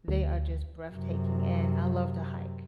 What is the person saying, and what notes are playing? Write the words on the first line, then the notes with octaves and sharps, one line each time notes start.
they are just breathtaking, and I love to hike
D2
F#2 C3